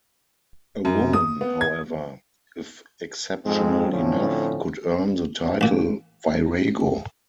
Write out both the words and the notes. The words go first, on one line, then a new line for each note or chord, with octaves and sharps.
A woman, however, if exceptional enough could earn the title "virago".
F#2
D#6
B3
G#6
F2 G#2 G#3 C4
A2 D3 F3 C4 C#4
A1 A#2